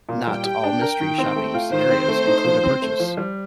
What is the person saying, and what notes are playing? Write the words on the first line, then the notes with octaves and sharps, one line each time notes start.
Not all mystery shopping scenarios include a purchase.
A#2
G3 G5
G4
D4
A#4
D#3
C4
A3
F4
D#3 C5
C4
A3
D#4
F3
C4
A3
F3
G3